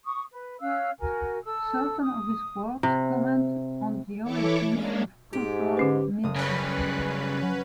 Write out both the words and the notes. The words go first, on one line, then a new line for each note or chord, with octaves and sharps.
Certain of his works comment on the origins of cultural myths.
C#6 D#6
B4
C#4 F5 E6 F#6
F#4 A#4 G#5
A4 E6
D#6
C3
E3 E4 A4 C#5 C#6 D6
G#3 A#3 C#4 D4
G#2 G4
D3 C#4 B4
F#1 D#6
C#3 G3 C#4 B4
F#3